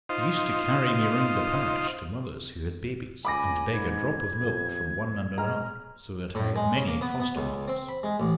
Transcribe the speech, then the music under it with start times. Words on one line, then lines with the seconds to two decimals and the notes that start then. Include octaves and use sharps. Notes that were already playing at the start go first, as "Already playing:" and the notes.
She used to carry me round the parish to mothers who had babies, and beg a drop of milk from one and another, so that I had many foster-mothers.
0.09 D#4 F4 C5
3.25 C#2 G#5 B5 D6 A#6
3.72 G#2 G#6
4.40 F2
5.38 G#3 A#5 F6
6.35 A2
6.56 G#3
6.76 C#3
6.88 A#3
7.01 B3
7.20 B3
7.36 C#2
7.68 C4
7.89 B5
8.03 G#3
8.20 A1